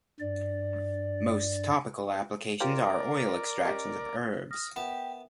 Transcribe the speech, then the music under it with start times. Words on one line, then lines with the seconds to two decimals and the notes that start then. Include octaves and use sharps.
Most topical applications are oil extractions of herbs.
0.20 G2 D5
2.60 C4 F4 G4 A#4 D5
3.65 C#4 G4 D#5
4.51 D#6 F6 A#6
4.76 B3 G4 A#4 E5 A5